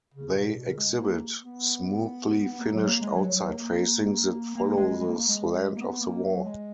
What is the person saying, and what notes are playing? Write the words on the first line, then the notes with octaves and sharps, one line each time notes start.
They exhibit smoothly finished outside facings that follow the slant of the wall.
C#3
A#2
A#2
B2
C#3
G#3
A#3
B3
B3
A#3
F#3
A#3
G#3
F#3
F#3
A#3
A#3
G#3
G#3
A#3
A#3
G#3
A#3
B3
A#3
F#3
G#3